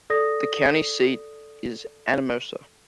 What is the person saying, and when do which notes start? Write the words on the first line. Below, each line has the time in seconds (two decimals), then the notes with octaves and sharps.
The county seat is Anamosa.
0.10 A4 D5 D#6 A#6